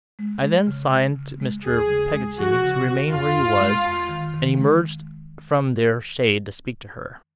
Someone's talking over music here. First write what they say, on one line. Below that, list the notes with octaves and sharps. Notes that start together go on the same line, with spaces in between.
I then signed to Mr. Peggotty to remain where he was, and emerged from their shade to speak to her.
G#3
G#3
C#3
G#3
C#3
G#3
D#2 G#4
C#3
G#3
F3 F#4
C#3
C#3
F2 F4
F2
G#3
F2
D#3
D#3
G#3